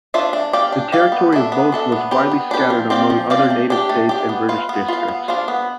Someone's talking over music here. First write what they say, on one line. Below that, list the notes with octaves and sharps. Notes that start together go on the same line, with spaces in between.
The territory of both was widely scattered among other native states and British districts.
D4 F4 C5 E5
D4
G4 D5 F5
D4
G4 D5 F5
B3
D4 A4 E5
B3
D4 A4 E5
B3
D4 G4 B4
B3
D4 G4 B4
F3
C4 G4 D5 F5
F3
C4 G4 D5 F5
A3
D4 G4
A3
D4 G4
B3
F4 B4 F5
B3
F4 B4 F5
B3
D4 F4 C5 F5
B3